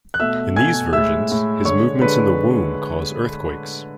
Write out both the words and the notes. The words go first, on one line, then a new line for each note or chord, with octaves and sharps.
In these versions, his movements in the womb cause earthquakes.
F#6
B2 A3 E5 E6
B2 A3 G#5 G#6
A2 G#3 E5 E6
A2 G#3
D3 G#3 C#5 C#6
D3 G#3 B4 B5